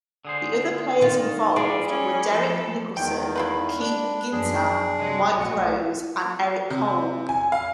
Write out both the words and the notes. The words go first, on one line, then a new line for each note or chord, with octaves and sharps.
The other players involved were, Derrek Nicholson, Keith Ginter, Mike Rose, and Eric Cole.
D3 G#4 C5
D#3 F4
G3 G#3 G#4 D5
C#4
F3 A4
E2 D#3 G#3 G5
E4 F4 B4
D4
F#2 F3 D4 G#4
C3 F#3 G#3
B1 A2 F#4 C#7
C3
G#5
F5